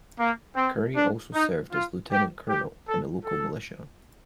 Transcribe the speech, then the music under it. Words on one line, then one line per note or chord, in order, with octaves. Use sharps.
Currie also served as Lieutenant-Colonel in the local militia.
A#3
C4
D4
D#4
F4
G4
G4
A4
A4